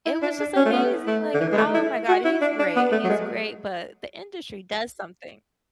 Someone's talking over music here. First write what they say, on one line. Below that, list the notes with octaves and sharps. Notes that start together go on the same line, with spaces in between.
it was just amazing. Like, oh my God, he's great. He's great, but the industry does something.
E4
D4
D4
C#4
A3
B3
A3
D3
E3
G#3
A3
E4
F#4
E4
D4
D4
B3
A3
F#3
G#3